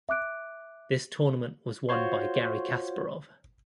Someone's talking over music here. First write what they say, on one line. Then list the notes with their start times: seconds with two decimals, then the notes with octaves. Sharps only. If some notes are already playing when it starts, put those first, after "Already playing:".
This tournament was won by Garry Kasparov.
0.09 E5 D6 F#6 D7
1.89 F4 F#4 C5 C#5 C6